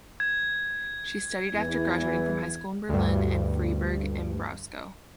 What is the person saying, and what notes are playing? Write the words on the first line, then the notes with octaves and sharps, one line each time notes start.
She studied after graduating from high school in Berlin and Freiburg im Breisgau.
G#6
E2 E3
D2 G2